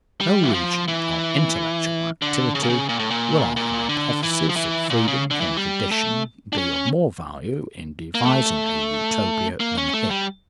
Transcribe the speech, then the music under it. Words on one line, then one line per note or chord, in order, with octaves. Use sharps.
In no region of intellectual activity will our hypothesis of freedom from tradition be of more value in devising a Utopia than here.
G3
E3
F3
E3
D3
C#3
A#2
C#3
A#2
A2
A#2
A#2
D3
E3
F3
E3
A#2
C#3
D3
E3
G3
A3
D4
C#4
A#3
A3
A#3
C#4
A3
G3